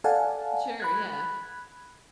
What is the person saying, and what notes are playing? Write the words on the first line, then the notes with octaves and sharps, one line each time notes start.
Sure, yeah.
A4 D5 F5 F#5 G#5 A5
B5 F#6 G#6